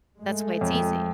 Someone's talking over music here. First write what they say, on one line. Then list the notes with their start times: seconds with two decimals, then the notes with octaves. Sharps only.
that's why it's easy.
0.20 G#3 A3
0.61 F2